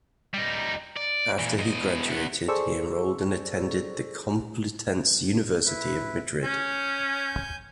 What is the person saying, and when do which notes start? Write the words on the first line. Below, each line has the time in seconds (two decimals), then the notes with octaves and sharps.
After he graduated, he enrolled and attended the Complutense University of Madrid.
0.34 G3 D#4
0.96 D5
1.39 A#2 E3
1.59 E2 D#5
2.08 E2 B3
2.48 G#4 A4 C5 D5 C#6 E6
5.66 E4 B4
6.43 C#4 G#5 G6